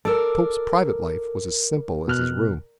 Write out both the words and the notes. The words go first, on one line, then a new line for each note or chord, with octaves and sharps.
The Pope's private life was as simple as His room.
A4 A#4 D5 E6
B2 F6 F#6